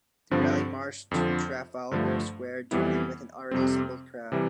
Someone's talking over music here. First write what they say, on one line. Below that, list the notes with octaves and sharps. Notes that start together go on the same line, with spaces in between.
The rally marched to Trafalgar Square, joining with an already assembled crowd.
G2 D3 F3 C4
F2 D3 F3
G2 D3 F3 A3
F2 E3 G3 B3 E4
F2 C3 G3 C4
C3 E3 G3